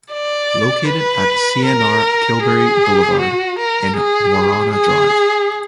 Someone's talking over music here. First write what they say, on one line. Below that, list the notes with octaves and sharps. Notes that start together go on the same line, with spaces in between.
Located at Cnr Kilberry Boulevard and Warana Drive.
D5
B4
A#4
G#4
F#4
A#4
G#4
G#4